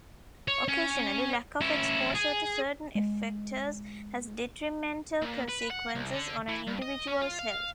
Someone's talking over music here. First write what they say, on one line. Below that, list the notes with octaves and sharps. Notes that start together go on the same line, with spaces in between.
Occasionally, lack of exposure to certain effectors has detrimental consequences on an individual's health.
C#5
C#4
C#4 E4
G#4
G#3
A#2
B4
F#5
C2
D3
E3
G2
D#5
C#4
F4
F5